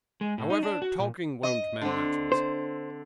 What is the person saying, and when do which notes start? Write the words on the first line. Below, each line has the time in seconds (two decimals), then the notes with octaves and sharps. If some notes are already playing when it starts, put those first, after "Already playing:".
'However, talking won't mend matters.
0.21 G#3
0.38 A2
0.50 D#4
0.63 D4
0.82 F#4
0.99 A#2
1.43 D#5
1.81 D3 C4
2.32 C5